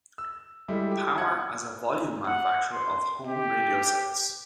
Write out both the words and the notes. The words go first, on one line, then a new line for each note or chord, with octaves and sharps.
Power as a volume manufacturer of home radio sets.
E6
G3 G#3 E4 A4
G4
F#5 F#6 G#6 C#7
F#5
C6
G4